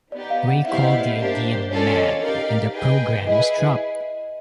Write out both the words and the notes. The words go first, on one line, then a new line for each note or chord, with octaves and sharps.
Ray called the idea "mad", and the programme was dropped.
B3 D#4 G4 D5
F5
F#5
B3 E4 G4 C5 E5 F5
D#5
D5
A#3 D4 G4 C5
C#4 F4 A4 C#5 D5
D#5
D#4 G4 A#4 D5 F5
G#4 B4 D#5 G5
E4 G#4 B4 D#5